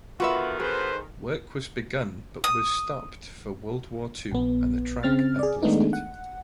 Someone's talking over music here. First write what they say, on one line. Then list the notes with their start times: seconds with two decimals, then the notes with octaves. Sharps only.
Work was begun but was stopped for World War Two and the track uplifted.
0.20 D3 D#3 B3 F4 F#4 B4 E5
0.60 G#4 B4 C5
2.44 D#6
4.31 A#1 B3
5.03 C#3 C4 F6 A6
5.39 G#4 D5
5.62 D#3 G#3 A3 B3 D4 D#4
5.93 F#5